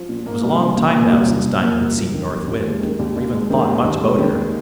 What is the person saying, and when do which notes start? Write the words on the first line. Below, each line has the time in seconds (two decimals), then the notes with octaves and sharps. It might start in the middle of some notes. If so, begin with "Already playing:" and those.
It was a long time now since Diamond had seen North Wind, or even thought much about her.
Already playing: F3
0.09 A#2
0.26 A#3
0.43 C2
0.60 F3
0.77 A#2
0.94 A#3
1.11 C2
1.28 F3
1.45 A#2
1.62 A#3
1.79 C2
1.97 F3
2.13 D#3
2.30 D#2
2.47 D#2
2.64 G#3
2.82 D#3
2.99 D#2
3.16 D#2
3.33 G#3
3.50 D#3
3.67 D#2
3.84 D#2
4.01 G#3
4.19 D#3
4.36 D#2